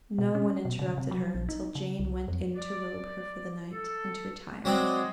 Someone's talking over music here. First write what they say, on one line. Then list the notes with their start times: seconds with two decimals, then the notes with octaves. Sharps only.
No one interrupted her until Jane went in to robe her for the night, and to retire.
0.18 B2
0.35 C#4
0.65 B2
0.79 C#3
0.98 C3
1.11 F#3
1.35 A#1
1.49 D#4
1.75 C#3
1.99 C2
2.28 F2
2.55 D5
3.71 A4
4.65 F#3 G#3 C4 D5